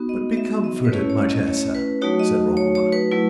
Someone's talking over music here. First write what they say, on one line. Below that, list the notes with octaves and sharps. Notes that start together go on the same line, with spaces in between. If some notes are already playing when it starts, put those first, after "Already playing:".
"But be comforted, my Tessa," said Romola.
Already playing: B3 D#4 F#4
D#5
E5
D#5
B4
A3 C#4 E4 C#5
C#5
D#5
C#5
B4
F#3 A3 D#4 F#4 C#5
D#5
C#5
C#5
B4
F#3 A3 E4